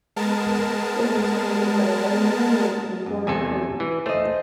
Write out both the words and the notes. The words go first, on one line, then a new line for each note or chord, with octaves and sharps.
It was created by Lennie Herman and Warren Kremer.
G#3 B3 A#4 A5
F#2
E2 C3 A4 G#5
E3
A3 C5 D#5